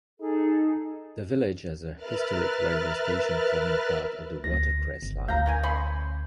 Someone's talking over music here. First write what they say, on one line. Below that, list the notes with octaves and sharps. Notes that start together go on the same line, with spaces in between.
The village has a historic railway station forming part of the Watercress Line.
D#4 G#4 A4
A#4 B4 E5 F6 F#6 A6
D2 A#6
G1
D2 F5 A#5 G6
C#4 A#4 G#5
C#4 B5 C6